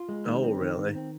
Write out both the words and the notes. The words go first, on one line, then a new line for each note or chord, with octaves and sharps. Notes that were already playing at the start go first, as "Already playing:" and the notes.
Oh, really?
Already playing: F4
G#3
D#3
C4
D#3
D#3
C4